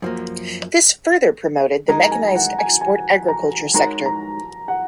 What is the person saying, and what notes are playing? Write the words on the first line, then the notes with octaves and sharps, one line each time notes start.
This further promoted the mechanized export agriculture sector.
F#2 F3 A#3
G#3 D#4 A#4 A#5
A#5
G#5
F#5
G#5
G#5
A#5
G#3 D#4 F#4 A#4 C#5 A#5
A#5
F#5